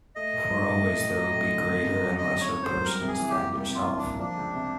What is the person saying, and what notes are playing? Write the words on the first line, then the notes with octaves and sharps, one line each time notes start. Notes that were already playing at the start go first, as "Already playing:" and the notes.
For always there will be greater and lesser persons than yourself.
A3 D#5
A2
F#3
A2
A3
A2
F#3
A2
D3
G#1
F#2
F#3
D3 D#5
G#1
C#5
F#2
C5
F#3
G3 A#4
C3
G#4
E3
G4
A#3
G3 G4
C3
F4
E3
D4
A#3
F3 D4
C#2
C3